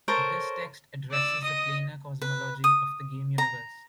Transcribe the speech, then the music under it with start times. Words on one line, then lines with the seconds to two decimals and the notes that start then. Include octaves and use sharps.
This text addresses the planar cosmology of the game universe.
0.08 A4 A#4 C5 C#5
1.11 D5 E6
1.44 D#5 D#6
2.22 B4
2.64 D#6
3.38 A#5